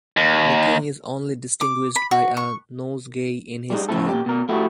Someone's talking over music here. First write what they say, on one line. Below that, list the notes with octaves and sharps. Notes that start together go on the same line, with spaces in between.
The king is only distinguished by a nosegay in his cap.
D#2
D6
B5
F#4
C#6
G3 G#3 D#4
C#3 F3 A3 C4 E4 A4
A#2 G4
B2 A#4
A3 E4 F#4 G4